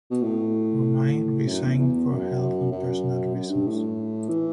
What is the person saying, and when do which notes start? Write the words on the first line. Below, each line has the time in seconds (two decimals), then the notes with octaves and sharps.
Romine resigned for health and personal reasons.
0.11 B2
0.22 A2
1.48 F#2
1.63 E2
1.79 E2
2.10 F#2
2.72 F#2
3.35 F#2
3.50 G2
3.67 A2
4.29 E3